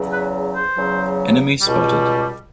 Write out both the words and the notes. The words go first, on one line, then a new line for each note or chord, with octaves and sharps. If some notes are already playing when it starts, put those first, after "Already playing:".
Enemy spotted!
Already playing: E2 C#3 F#3
B4
C5
E2 C#3 F#3
C#2 B2 G3